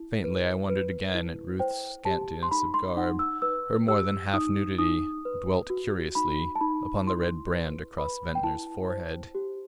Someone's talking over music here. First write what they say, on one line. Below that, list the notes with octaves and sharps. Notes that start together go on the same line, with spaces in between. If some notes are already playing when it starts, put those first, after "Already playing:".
Faintly I wondered again at Ruth's scantiness of garb, her more than half nudity; dwelt curiously upon the red brand across Ventnor's forehead.
Already playing: E4
B4
B4
E4
C5 G5
G4 A5
C6
D#4 B5
C6
D#4 F#5
E6
B4 E6
G4 E6
D#4 D#6
D#4 D#6
B4
F#4
D#4 B5
A5
D#4 B5
E4 C6
B4
B4 B5
G5
E4 A5
C5
G4